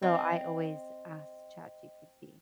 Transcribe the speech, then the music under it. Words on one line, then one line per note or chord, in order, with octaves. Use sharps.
So, I always ask Chat GPT,
C4 D#5